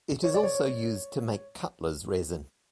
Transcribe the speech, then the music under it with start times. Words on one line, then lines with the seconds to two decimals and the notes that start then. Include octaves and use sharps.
It is also used to make cutler's resin.
0.24 C#5
0.34 D5
0.43 C#5